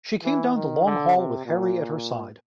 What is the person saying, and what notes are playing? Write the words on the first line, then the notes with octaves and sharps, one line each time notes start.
She came down the long hall with Harry at her side.
E3
D#3
D3
C3
A#2